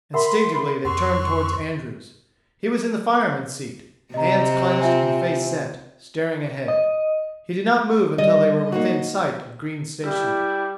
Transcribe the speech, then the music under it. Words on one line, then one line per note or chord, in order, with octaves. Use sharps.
Instinctively they turned toward Andrews. He was in the fireman's seat, hands clenched and face set, staring ahead. He did not move until they were within sight of Green's Station.
A#4 E5 F#5 B5 C6
F2 F#5 C6 C#6
C3 C4 D#5 A#5
F4 E5 G#5
D#5
G3 D#5
A#3 D#4 F#4
G3 E4 G4